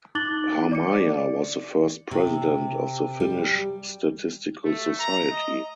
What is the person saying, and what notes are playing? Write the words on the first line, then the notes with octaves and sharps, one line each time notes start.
Harmaja was the first president of the Finnish Statistical Society.
D#4 D6 F#6 A6 F#7 G7
D5 D6 C#7
C3
G3
A3
A#5
D#5